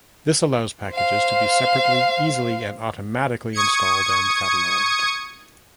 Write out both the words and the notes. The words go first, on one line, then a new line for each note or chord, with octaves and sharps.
This allows packages to be separately, easily and automatically installed and catalogued.
C5 F5
C#6 D#6 G#6 C#7